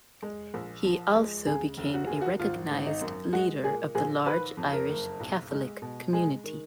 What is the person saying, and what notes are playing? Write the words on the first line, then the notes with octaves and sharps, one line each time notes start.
He also became a recognised leader of the large Irish Catholic community.
G#3
A#1
F3
G#3
C#3 G#4
F1
F#4
D#2 G#4
F#4
G#1 F4
G#1
D#4
F#2
G#3 F#4
A#2 G#4
A#1 G#4
D#3 B4
F2
A#4
F#1
B1
G#3
B2
G#3 G#4
D#3